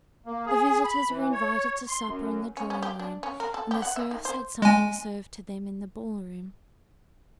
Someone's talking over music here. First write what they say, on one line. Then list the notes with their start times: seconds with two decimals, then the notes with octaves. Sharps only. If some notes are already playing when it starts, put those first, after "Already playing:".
The visitors were invited to supper in the drawing room, and the serfs had something served to them in the ballroom.
0.26 A#3
0.46 G#4
0.85 B5
1.08 E3
1.32 C#5
1.88 C6
2.05 F#2
2.57 C#4
2.70 C#4
2.83 G4
2.99 D4
3.23 C#4
3.40 A#4
3.54 A4
3.71 G4
3.82 F#5
3.96 E5
4.11 D#3
4.25 C5
4.62 G#3 G#5